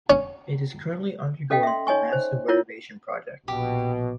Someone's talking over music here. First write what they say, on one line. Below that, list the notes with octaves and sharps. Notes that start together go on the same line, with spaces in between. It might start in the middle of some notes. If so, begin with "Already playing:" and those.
It is currently undergoing a massive renovation project.
C#4
C#4 A4 D#5 F5 G5
E5 C6
D#4 C#5 D#5 G#5 C#6
C5
E4 F4 A#4 C#5
A#1 B2 G4